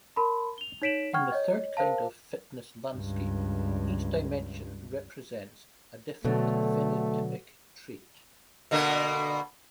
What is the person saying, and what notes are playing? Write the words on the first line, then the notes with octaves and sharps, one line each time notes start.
In the third kind of fitness landscape, each dimension represents a different phenotypic trait.
A#4 A5 B5 C6
F7 G7
D#4 C#5 B6 D7 E7 F#7
F#5 G5 C#6 F6 G#6
C#5 D#5
A#4 C5 F5 A5
C#2 G2
B2 D3 F#3 A3
B2 D3 A#3